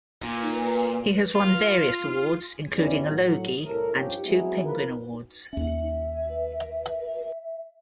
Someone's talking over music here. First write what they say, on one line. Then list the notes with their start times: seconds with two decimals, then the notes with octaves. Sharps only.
He has won various awards, including a Logie and two Penguin awards.
0.23 A#2
1.35 F4
2.75 E2 G3 C#4
3.07 A2 F#3
3.64 C2 A2 A4 A#4
3.93 G2 F3 C#4 D#4 G4
4.24 F#3 G#3 B3 C4 E4 G#4
4.64 F3 A#4 B4
5.53 D#2 C#4 E5